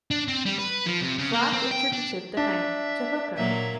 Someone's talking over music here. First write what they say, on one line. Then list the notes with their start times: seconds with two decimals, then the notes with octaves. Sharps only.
Clarke attributed the name to Hooker.
0.11 D4
0.28 C4
0.45 G3
0.58 B4
0.86 F3
1.01 C3
1.18 C#3
1.33 A#3
1.53 C4
1.72 G5
1.93 D4
2.37 D4 E5
3.37 A#2 F#3 A#3 E5